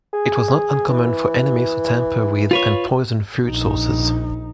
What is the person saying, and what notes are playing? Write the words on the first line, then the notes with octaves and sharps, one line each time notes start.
It was not uncommon for enemies to tamper with and poison food sources.
G#4
E3
F4 B4 C#5
A#1 D#4